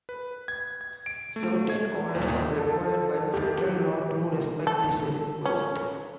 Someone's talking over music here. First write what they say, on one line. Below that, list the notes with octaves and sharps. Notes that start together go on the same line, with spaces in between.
Certain callers are required by federal law to respect this request.
B4
G#6
G#6
D7
A3
G#6
D#2
A4
G4
A4
C#4